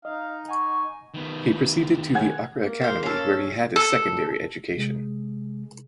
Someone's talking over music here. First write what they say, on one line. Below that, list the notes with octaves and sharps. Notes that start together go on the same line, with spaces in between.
He proceeded to the Accra Academy where he had his secondary education.
D#4 D#5 F5
F#5 G#5 C#6
D#3 B3
F#5 G#5 G#6
A#3
C5 F5
C#4 A4 F5
A4
C3 G#3 G#4